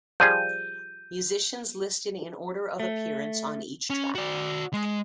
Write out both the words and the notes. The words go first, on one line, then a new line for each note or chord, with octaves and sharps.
"Musicians listed in order of appearance on each track".
F3 G3 G#4 G6 D#7
A3
C#4
F#4 D5
G#3